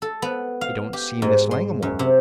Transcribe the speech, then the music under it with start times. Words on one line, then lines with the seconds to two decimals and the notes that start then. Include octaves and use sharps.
"I don't see Miss Langmore."
0.02 A4
0.22 B3
0.61 F5
0.93 G4
1.22 G#2
1.51 C6
1.82 F#2
1.99 C3